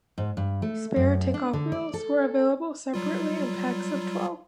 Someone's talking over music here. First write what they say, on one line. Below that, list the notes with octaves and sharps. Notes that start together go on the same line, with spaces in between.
Spare Take-Off Wheels were available separately in packs of twelve.
G#2
G2
A3
F#2
D4
D3
D5
A4
F#3 G3 F4